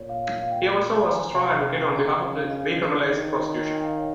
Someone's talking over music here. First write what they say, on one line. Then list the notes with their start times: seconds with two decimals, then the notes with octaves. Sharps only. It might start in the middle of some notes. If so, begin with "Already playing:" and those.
He also was a strong advocate on behalf of decriminalizing prostitution.
Already playing: A#2 C#5
0.09 F5
0.42 F5
0.51 G5
0.86 C6
0.93 A#5
1.03 G#5
1.13 A#5
1.24 G#5
1.34 C3 F5
1.76 G#5
1.86 A#5
1.97 G#5
2.07 G5
2.17 C#3 F5
2.28 D#5
2.38 F5
2.49 D#5
2.60 C5
2.80 C#5
3.00 D#3 F5
3.14 D#5
3.27 C#5
3.41 D#5
3.64 G#5
3.74 G5
3.84 F5
3.99 C#5